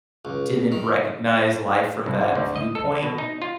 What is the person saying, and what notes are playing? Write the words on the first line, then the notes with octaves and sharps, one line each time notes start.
didn't recognize life from that viewpoint,
C#2
D#3
C2
G#1
D2
D#5
A4
B2
D#4
F4